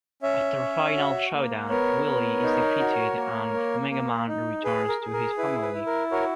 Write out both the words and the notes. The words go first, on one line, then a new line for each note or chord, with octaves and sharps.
After a final showdown, Wily is defeated and Mega Man returns to his family.
C#4 C#5 E5
C#4
F#4
A#3
B3 A#4 C#5
B3
D#4
F#4
A#3
A#3
A#3
D#4
G#4 B4
A#4
G#4
A#4
E4 B4
B4
E4
A#4
F#4 A#4 C#5